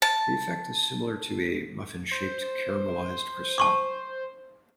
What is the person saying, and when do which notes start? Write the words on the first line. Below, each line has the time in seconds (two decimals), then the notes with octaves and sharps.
The effect is similar to a muffin-shaped, caramelized croissant.
0.02 A5
2.12 C5
3.58 A5 C#6 D6